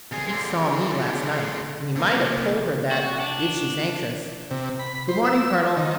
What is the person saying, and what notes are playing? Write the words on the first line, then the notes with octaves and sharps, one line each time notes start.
But he saw me last night, and he might have told her that, if she's anxious.--Good-morning, colonel.
C2 G#4
D3 G#3
C3 A#3
F#4
D4
C3
B5
C5
E6
D#3